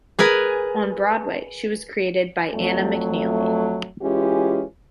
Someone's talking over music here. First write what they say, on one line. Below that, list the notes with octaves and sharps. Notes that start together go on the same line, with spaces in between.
On Broadway she was created by Anna McNeely.
G#4 A#4 B4 G#5
F2 F#3 A3
E3 G#3 C#4 F4 G4